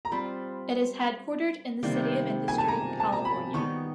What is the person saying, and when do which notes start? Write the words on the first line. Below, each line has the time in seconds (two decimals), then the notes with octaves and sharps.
It is headquartered in the City of Industry, California.
0.05 A#5
0.12 G3 C4 F4 B5
1.83 C3 D#3 G3 A#3
2.48 G#5
2.58 A5
2.68 A#5
3.00 A5
3.12 A#5
3.25 B5
3.54 D#3 G3 B3 D#4 C#6